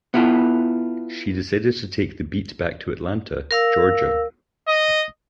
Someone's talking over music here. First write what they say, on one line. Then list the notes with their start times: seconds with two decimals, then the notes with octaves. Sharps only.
She decided to take the beat back to Atlanta, Georgia.
0.14 B3 E4 F4 A4
3.51 A#4 F5 E6
4.68 D#5